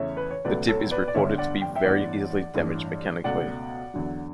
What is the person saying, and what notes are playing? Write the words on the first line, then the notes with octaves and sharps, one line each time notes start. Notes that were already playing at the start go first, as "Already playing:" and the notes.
The tip is reported to be very easily damaged mechanically.
Already playing: E2 C#3 E3 A3 C#5 E5
B4
C#5
C#2 B2 F#3 A3 B4 D5
A4 C#5
B4 D5
D5
G1 G2 D3 C#5 E5
D5 F#5
G5
E5 G5
A1 G2 E3 B3 D5 F#5
A1 G2 E3
C#2 B2 A3 D5 F#5
E2 D3 F#3